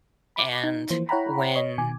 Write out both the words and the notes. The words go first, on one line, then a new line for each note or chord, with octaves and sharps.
and when
B5 D6
D#4
E3 F3 A#3 C5
E4 C#5 F#5 G5 A#5 B5
C#5 D#5
B2 D#3 G#5 D6